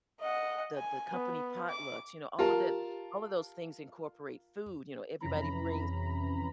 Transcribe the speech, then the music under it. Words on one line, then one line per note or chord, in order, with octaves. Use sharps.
the the company potlucks, you know, all of that all of those things incorporate food, you know, everybody brings
D#5 F#5
G#5
B3
D6
F4 G4 A#4 A5
F2 C3 E3 C#4 A#5 B5